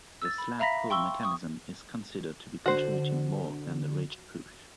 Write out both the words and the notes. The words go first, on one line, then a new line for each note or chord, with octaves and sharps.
The slab pull mechanism is considered to be contributing more than the ridge push.
E6 A6
B5
E5 F5 A#5 B5 A#6 B6
G5 C6 C#6 E6 G7
C#6 D#6
D3 F#4 C5